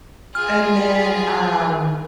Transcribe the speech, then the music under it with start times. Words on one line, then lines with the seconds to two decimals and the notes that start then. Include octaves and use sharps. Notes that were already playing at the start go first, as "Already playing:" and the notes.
And then, um,
0.35 F4 G#4 F6